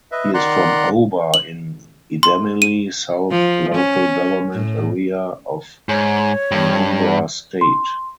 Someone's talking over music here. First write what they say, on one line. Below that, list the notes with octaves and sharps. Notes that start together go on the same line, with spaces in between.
He is from Oba in Idemili South Local Government Area of Anambra State.
B4 D#5 E5
D#3 D5 F#5 A#5 C6 F#6
F#7
C6
D#7
F3
C#4
A2
G#2 C#5
G2
C6